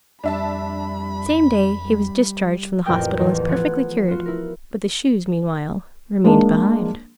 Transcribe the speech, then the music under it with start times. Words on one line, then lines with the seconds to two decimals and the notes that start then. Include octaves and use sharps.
The same day he was discharged from the hospital as perfectly cured; but the Shoes meanwhile remained behind.
0.24 F2 G3 D4 E5 A5 B5
1.83 G3
2.85 A1 F2 A#3 A#4 G5 F6
3.18 A1 E2 A#5
3.48 F3 A3 B3 F#5 F#6 G#6
4.08 F4 F#4
4.26 E4 A#4
6.24 G#3 A#3 D4